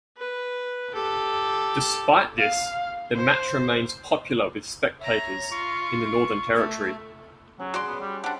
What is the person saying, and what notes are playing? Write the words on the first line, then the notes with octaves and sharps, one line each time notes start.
Despite this, the match remains popular with spectators in the Northern Territory.
B4
G4 A4
F5
C5
C#5 E5 A#5
F4 C#6
A3
F#3 C#4 G#4
F#4 D5 C6
B3
G3
D4 G4 C5 D#5 F#5 A5